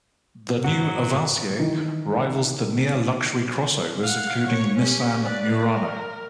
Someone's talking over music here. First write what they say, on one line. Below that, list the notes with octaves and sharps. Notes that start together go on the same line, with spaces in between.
The new Avancier rivals the near luxury crossovers including Nissan Murano.
G#2 F#3 F#4
D#3 E3
F5 F#5
C#5
C#4 G4
B4 D5
A#4